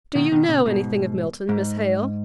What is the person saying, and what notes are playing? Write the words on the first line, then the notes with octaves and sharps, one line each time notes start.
'Do you know anything of Milton, Miss Hale?
B2 D#3
B2 D#3
A#2 C#3
G#2 B2
G#2